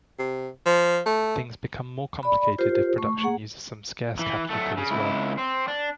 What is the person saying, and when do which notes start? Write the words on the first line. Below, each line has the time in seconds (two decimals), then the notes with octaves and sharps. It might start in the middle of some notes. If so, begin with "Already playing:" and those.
Things become more complicated if production uses some scarce capital good as well.
0.19 C3
0.66 F3
1.06 A3
2.23 D5 B5
2.58 F4 G4 A#4 C5
2.98 A3 C#6
3.24 A#3 G#4 F#5
4.19 E3
4.50 F#3 A3
4.77 C#3
4.90 C#2 E4
5.38 C4
5.68 D4